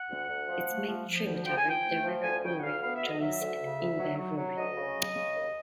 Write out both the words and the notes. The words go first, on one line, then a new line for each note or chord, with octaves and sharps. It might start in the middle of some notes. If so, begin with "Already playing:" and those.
Its main tributary, the River Ury, joins at Inverurie.
Already playing: F#5
D2
D2
F3
A3
F3
F3
D2
F3 G5
G#5
F3 G5
A3
F3
D2 G#5
C#3 G5
F#5
D2 F5
B3 F5
E5
D2
D#5
F#3 E5
D2
C#3
D2
F#3
F#3
F#3
D2 D#5
C#3
F#3
C#3
D#2